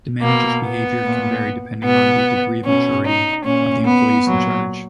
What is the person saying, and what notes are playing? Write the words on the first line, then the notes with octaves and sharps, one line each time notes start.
The manager's behavior can vary depending on the "degree of maturity" of the employees in charge.
B2 A#3
B3
A#2
B2 B3
B2 C#4
D#4
A#2 C#4
B3
A#2 F#3